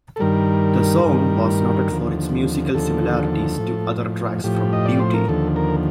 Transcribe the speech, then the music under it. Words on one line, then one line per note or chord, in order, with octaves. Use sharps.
The song was noted for its musical similarities to other tracks from "Duty".
A4
G2 D#3 G3 A#4
G2 D#3 G3
D#2 D3 F3
D#2 D3 F3 A4
A2 F3
A2 F3 G4
D#5
D5
C5
A#4
D#2 D3 F3 A4
A#4